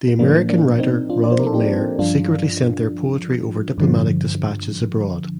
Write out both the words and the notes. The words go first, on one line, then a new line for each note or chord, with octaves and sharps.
The American writer Ronald Meyer secretly sent their poetry over diplomatic dispatches abroad.
A2 F3 A#3 D4
A#3 D4
C4 D#4
D4 F4
D5
C5
A#4
A4
D#4 G4
G2 F3 D4 F4
G2 D3 F3